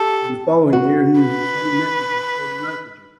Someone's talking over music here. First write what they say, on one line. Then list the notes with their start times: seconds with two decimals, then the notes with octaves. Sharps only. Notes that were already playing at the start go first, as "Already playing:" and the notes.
In the following year he used this same method to study nitrogen.
Already playing: G4 A4
0.73 F#4
1.21 B4